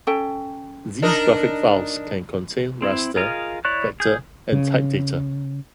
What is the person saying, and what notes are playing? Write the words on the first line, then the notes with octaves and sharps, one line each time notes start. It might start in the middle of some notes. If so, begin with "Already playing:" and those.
These graphics files can contain raster, vector, and type data.
C#4 A4 G5
D4 D#4 A#4
C4 E4
F4 G#4 A#4 D#5 F5
E4 C#5 D5 C#6 F#6
G#4 G6
C#3